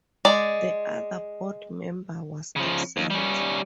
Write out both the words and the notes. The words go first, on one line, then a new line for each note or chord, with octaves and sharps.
The other board member was absent.
G#3 D5
C#3 F3
D#2
G3 C#4